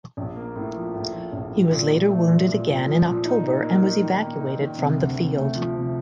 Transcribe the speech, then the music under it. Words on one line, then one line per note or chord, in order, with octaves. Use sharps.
He was later wounded again in October and was evacuated from the field.
A#1
A#3
A2
F3
A2
F3
A#1
A2
A#2
A#2
A3
A#2
A#2
A#2
F3
A#2
D#4
D#4
A#3
D#4
D#3
A#3
D#4
D#3
C3
D2
C3
A3
F3
C3